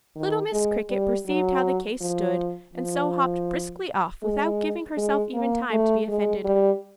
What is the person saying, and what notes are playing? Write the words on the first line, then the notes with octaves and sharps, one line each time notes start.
Little Miss Cricket perceived how the case stood, and so hopped briskly off, without giving herself even time to be offended.
D#3
G#3
G3
F#3
F3
F3
G#3
G#3
A#3
A3
G#3
G3